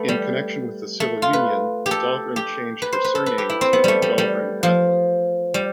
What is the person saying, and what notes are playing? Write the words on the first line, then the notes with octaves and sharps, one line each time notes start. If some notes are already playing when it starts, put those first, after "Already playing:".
In connection with the civil union, Dahlgren changed her surname to Dahlgren-Attling.
Already playing: A3 B3
G3
A3
F4
B4
G4
A4
G4
B4
C5
B4
A4
B4
G4
E4
C4
B3
G3 A3
G3
G3
F3
G3